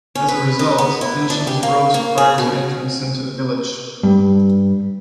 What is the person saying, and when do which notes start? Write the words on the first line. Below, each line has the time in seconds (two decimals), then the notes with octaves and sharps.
As a result, tensions rose prior to entrance into the village.
0.15 C#4
0.28 B4
0.59 D#5
0.78 B3
1.01 E4
1.30 D4
1.47 G4
1.63 A#3
1.94 A#3
2.18 G#4
2.38 B2
4.03 G2 G3